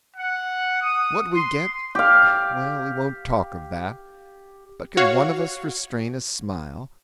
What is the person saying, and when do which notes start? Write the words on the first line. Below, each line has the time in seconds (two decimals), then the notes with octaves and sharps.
What we get--well, we won't talk of that; but can one of us restrain a smile?
0.17 F#5
0.82 D#6
1.33 C6
1.95 G4 F5
4.97 F#4 C#5 F5